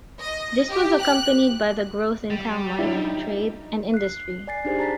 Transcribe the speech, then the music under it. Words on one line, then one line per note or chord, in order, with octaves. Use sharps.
This was accompanied by the growth in town life, trade, and industry.
D#5
G4
F#6
G3
F#3 D4 E4
D#4
F#6 C7
D5 G#5 A6 C7
D4 D#4 G4 G#4 C5 G#5
A5 A#5 A6 B6